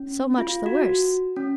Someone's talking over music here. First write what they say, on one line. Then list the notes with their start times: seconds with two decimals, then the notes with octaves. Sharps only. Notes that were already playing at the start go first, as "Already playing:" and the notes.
So much the worse!
Already playing: C#4
0.38 F4
0.66 F#4
1.36 C#4